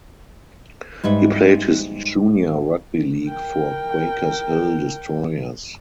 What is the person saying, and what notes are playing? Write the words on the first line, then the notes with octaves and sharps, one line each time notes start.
He played his junior rugby league for Quakers Hill Destroyers.
G#2 G3 B4 E5
A#4 G5